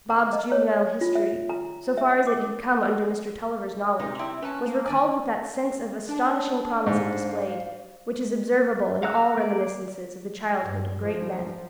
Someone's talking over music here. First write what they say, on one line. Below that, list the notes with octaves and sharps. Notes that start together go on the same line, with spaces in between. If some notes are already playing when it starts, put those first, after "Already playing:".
Bob's juvenile history, so far as it had come under Mr. Tulliver's knowledge, was recalled with that sense of astonishing promise it displayed, which is observable in all reminiscences of the childhood of great men.
A#5
D#5
C#5
F4
E5
A#5
E5
D6
C3 D#4
C4 E4
C#4 B4 A5
A#3
D#3 D4 G#5
D4 A5
G#2 C5 F5
F5 F#5 A#5 E6 F#6
A#3 D5
G2
F3